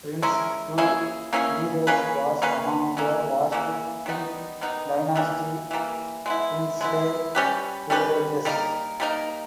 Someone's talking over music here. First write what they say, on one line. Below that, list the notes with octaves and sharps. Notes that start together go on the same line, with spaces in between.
Prince Fu peerage was among the last Qing dynasty princely peerages.
G#3 C#4 E4 A#4
A#3 C#4 E4 G#4
A#3 C#4 E4 G#4
A#3 C#4 G#4 B4
A#3 C#4 G#4 B4
C#3 E3 A#3
C#3 E3 A#3
D#3 G3 B3 D#4
D#3 G3 B3 D#4
E3 G3 A#3
E3 G3 A#3
G#3 B3 E4
G#3 B3 E4
G3 C#4 G4 B4
G3 C#4 G4 B4
G3 A#3 D#4 A#4
G3 A#3 D#4 A#4